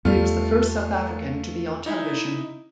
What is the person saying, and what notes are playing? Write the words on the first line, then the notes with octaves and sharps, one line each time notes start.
He was the first South African to be on television.
E2 G3 A3 F4 F6
D#4 E4 E5